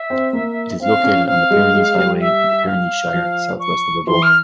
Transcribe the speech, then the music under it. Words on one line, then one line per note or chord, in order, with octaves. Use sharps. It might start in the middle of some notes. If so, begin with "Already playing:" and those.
It is located on the Pyrenees Highway in the Pyrenees Shire, south-west of Avoca.
Already playing: E5
C4
A#3
C4 F5
C#4
C4 F5
G#3
G#3
G3
E5
F5
F3
C#6
E3 C6
F6